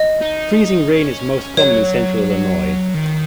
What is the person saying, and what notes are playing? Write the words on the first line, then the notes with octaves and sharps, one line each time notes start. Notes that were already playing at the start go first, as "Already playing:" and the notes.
Freezing rain is most common in central Illinois.
Already playing: D#5
D#4
C#4
F#3 C#5
D#3